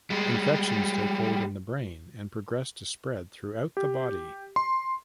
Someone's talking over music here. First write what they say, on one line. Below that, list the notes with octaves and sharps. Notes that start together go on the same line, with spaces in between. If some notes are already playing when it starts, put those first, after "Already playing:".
Infections take hold in the brain and progress to spread throughout the body.
G3 G#3
G4
C6